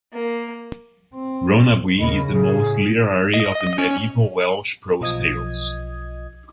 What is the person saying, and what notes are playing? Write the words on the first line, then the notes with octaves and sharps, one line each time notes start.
"Rhonabwy" is the most literary of the medieval Welsh prose tales.
A#3
C4
D#2 C#3 A#4 D#5 B5
A2 G#4
D#5
D#5
C#4
B1 F3 D#5 D#6 G#6